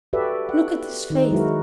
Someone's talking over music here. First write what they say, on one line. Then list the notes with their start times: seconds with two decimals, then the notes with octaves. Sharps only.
Look at his face.
0.13 F#4 G4 A4 B4 D5 E5
0.49 F#5
1.10 D#3 D#4
1.31 F#3 G#3 E4 F#4 A#4